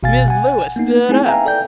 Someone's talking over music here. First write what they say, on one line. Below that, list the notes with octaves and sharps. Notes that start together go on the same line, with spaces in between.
Mrs. Lewis stood up.
G#1 B2 F5 G#5 A6
F#5 G#5
A#3 B3 D#4
A3 C4 D#4 E4 G#4 G#5
B4 E5 F5 G5 G#5 A#5
A4 D5 G5 G6